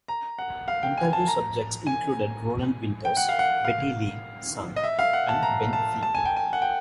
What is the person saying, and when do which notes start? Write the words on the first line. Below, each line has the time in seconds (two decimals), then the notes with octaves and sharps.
Interview subjects included Roland Winters, Betty Lee Sung, and Ben Fee.
0.08 A#5
0.38 F#5
0.68 F5
0.83 G5
0.97 G#5
1.13 A5
1.28 A#5
1.87 G#5
3.05 G5
3.17 F#5
3.29 F5
3.39 F#5
3.65 F5
4.76 D#5
4.84 E5
4.99 F5
5.13 F#5
5.29 A5
5.43 A#5
5.73 A5
6.03 A5
6.15 G#5
6.25 G5
6.36 G#5
6.53 F#5
6.62 G5